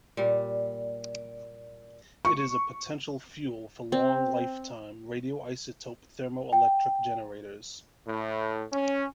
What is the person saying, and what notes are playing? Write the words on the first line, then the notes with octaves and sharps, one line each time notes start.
It is a potential fuel for long-lifetime radioisotope thermoelectric generators.
A#2 G3
C#6
C4
G5
A2
C#4